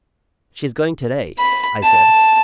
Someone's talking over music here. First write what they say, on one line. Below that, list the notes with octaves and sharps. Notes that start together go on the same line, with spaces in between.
"She's going to-day!" I said.
B5
A5